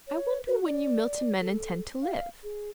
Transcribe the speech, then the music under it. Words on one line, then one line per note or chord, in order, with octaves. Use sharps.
I wonder when you Milton men intend to live.
C#5
F#4
D5
A4
F5
G#4